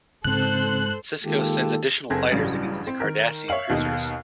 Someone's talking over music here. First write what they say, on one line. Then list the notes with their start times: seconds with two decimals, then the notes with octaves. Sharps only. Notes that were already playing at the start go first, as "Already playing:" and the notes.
Sisko sends additional fighters against the Cardassian cruisers.
0.24 G#2 C#3 C4 A4 C5 F#6
1.24 D#3 G#3 A#3 F4 G4 A4
2.10 F#1 C4 G#4 A4 G#6 A#6
2.31 A1 G2 C#3 F#3 G3
2.87 C4
3.00 D#3 A#4
3.48 C#5 E5 F5 F#7
3.70 D#2 B2 D#4